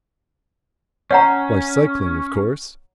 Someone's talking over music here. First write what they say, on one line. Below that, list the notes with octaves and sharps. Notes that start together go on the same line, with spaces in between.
"Why, cycling, of course."
C#4 C#5 F#5 A#5